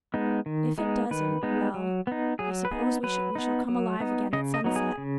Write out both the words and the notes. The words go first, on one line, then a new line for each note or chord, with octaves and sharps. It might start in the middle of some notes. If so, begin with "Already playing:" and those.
If it doesn't - well, I suppose we shall come alive again at sunset.
G#3 B3 D#4
D#3
G#3 B3 D#4
D#3 B4
G#3 B3 D#4
F#3
B3 D#4
F#3 G#4
B4
B3 D#4 G#4
F#3 B4
B3 D#4
F#3
B3 D#4
C#3 D#5
D#5
F#3 B3 D#4
G#4
C#3